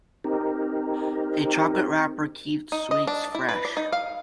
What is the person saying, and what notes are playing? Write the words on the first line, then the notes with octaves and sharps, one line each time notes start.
A chocolate wrapper keeps sweets fresh.
C4 D#4 G4 A#4
D#4
D#5
D4
E4
B4
D5
D#4
F5